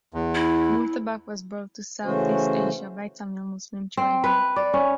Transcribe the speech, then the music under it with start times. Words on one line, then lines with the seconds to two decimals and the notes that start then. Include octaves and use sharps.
Murtabak was brought to Southeast Asia by Tamil Muslim trader.
0.14 E2
0.35 E4
2.04 C#3 E3 A3 C#4 F#4 C5
3.97 C4
4.24 B4
4.56 D5
4.74 C#4